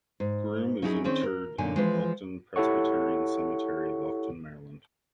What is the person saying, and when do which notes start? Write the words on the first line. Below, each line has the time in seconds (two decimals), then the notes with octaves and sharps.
Groome is interred in Elkton Presbyterian Cemetery of Elkton, Maryland.
0.20 G#2
0.82 F#3 C#4 D#4 E4 F#4 G#4
1.04 D#3 C4 C#4 G#4
1.23 A#4
1.58 F#2 A#2 D3 D#4 G#5
1.76 E3 F3 G#3
2.56 E4 G4 A4 C#5 F#5 C#6